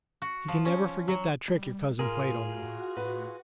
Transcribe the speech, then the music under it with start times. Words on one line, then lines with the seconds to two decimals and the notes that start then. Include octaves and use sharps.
"He can never forget that trick your cousin played on him."
0.22 F#4
0.48 F3
0.65 C#4
1.08 F#3
1.48 G3
1.99 A2 F4 G#4 A#4
2.51 F#4
2.97 A2 B4